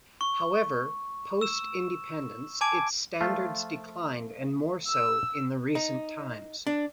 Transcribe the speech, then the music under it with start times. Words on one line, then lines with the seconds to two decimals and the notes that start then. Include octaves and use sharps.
However, post independence its standards declined and more so in the recent times.
0.21 C#6
1.41 E6 E7
2.61 G#5 A5 D6 G#6 D7
3.21 F3 A3 F4
4.87 E6
5.75 D#4
6.67 D4